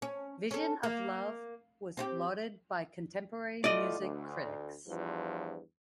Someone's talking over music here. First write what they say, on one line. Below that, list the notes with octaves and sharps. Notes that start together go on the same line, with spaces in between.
"Vision of Love" was lauded by contemporary music critics.
C#4
C#4 A4
A#3
C4 F4 G4
A2 A3 F4 D5 D#5
D2
E2 G2 F3